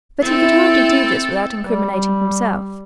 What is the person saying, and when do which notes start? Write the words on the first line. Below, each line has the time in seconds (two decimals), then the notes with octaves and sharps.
But he could hardly do this without incriminating himself.
0.22 C4 E4 A4
1.65 G3